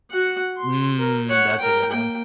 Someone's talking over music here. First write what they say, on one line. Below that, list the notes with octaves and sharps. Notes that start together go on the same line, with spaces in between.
Mm. That's a good one.
F#4 F#5
C6
A#4
C#5 F#5
A#4 G5
A#3 G5